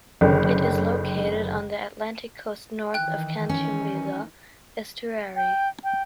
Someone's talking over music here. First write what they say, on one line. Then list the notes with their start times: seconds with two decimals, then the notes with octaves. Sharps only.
It is located on the Atlantic Coast north of Catumbela Estuary.
0.21 F#1 D3 D#3 C#4
2.94 D#3 E3 D#4 G5 F#6
3.49 C#4
5.36 G5
5.84 G5